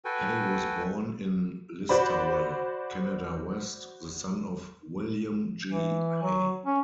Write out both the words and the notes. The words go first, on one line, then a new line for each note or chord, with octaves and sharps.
Hay was born in Listowel, Canada West, the son of William G. Hay.
F#4 A4 B4 G5 G#5
F#4 C5 D5 B5
E3
F#3
C#4